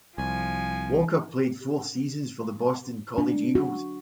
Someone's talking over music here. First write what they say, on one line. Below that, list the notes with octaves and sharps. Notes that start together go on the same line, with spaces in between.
Walker played four seasons for the Boston College Eagles.
C2 F3 G#5
D4
F#4